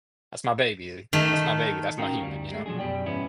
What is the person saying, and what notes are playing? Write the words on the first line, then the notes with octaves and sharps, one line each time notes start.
that's my baby, that's my baby, that's my human, you know.
D#3 A3
C#4 D#4 F#4 A#4 F5 G5
D2 G3
G#3 A3
B2 F3 F#3 D4 G#4
F#2 B2 G4 D5 G5
C#2 G#2 F3 B3 C#4 E4